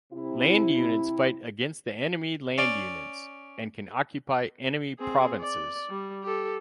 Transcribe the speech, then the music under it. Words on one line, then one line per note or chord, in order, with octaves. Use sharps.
Land units fight against enemy land units, and can occupy enemy provinces.
C3 E4
C#4 D5
C4 G#4
D5
G3
G4 A4